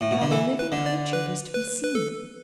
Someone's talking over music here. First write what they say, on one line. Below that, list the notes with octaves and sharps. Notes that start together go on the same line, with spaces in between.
Not a living creature was to be seen.
A2
B2
D3
E3 A4
B4
D3
D5
B4
B4
B4
A4